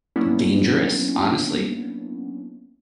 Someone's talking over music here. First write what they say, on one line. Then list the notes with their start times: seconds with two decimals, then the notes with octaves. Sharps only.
dangerous, honestly.
0.16 F#3 A#3 B3 C#4 D4 E4